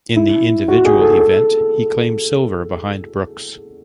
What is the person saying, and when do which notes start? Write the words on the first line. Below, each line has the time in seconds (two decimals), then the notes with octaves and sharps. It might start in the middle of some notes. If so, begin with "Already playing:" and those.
In the individual event, he claimed silver behind Brooks.
0.16 E4
0.68 F#4
0.85 G#4
1.01 A4
1.20 A4